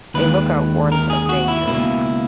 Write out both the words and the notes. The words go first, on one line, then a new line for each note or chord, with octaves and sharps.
A lookout warns of danger.
D#2 D#3 G#3 B4
A#4
G#4
F#4
E4
C#2 B2 A#3 E4